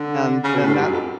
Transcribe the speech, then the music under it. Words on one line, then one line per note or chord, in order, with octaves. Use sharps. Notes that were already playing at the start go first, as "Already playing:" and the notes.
and then that's
Already playing: D3
C#3
B2
A2
G2
F#2
F2